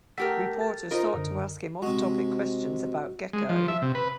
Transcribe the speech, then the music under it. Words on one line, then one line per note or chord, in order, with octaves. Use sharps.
Reporters sought to ask him off-topic questions about Gekko.
A3 G4 A#4 F#5 E6 B6
A4 A6
D#4 F4 A#4 C5
F#2 D3
C3 G#3 F#4
G#3
F3
E5
C3
B4